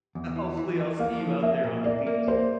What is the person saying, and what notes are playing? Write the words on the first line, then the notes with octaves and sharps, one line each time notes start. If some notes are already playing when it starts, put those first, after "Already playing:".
Hopefully, I'll see you out there on the beach.
E2
E3
E3
E3
A#3 F5
F3
A#3 E5
A#2
A#3 D5
A#3
A#3 C5